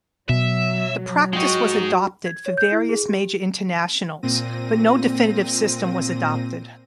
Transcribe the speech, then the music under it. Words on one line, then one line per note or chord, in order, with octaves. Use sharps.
The practice was adopted for various major internationals but no definitive system was adopted.
B2 F#3 E5
G#3 D#4 F#4 G5 C#6
G#6
C#5
G6
E4
G#4
G4
A#2 C4 A#6 D#7